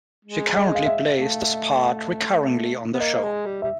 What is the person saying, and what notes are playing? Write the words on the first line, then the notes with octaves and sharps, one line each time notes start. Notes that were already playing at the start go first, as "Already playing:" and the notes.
She currently plays this part recurringly on the show.
G#3
D#5
F5
E5
A3
B3
A#3 D#5
G#3
G3
G3 E5